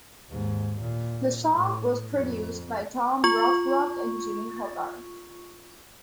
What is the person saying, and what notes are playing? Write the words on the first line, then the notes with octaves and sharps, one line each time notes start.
The song was produced by Tom Rothrock and Jimmy Hogarth.
D#2 G#2
A#2
A2
F2
F4 C#6